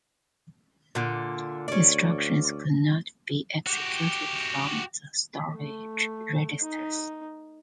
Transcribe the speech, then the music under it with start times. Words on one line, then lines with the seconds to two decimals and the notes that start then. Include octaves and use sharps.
Instructions could not be executed from the storage registers.
0.95 A#2 D3
1.68 D2 C#4 D5
3.66 F#4 G4
5.55 A3
6.62 D#4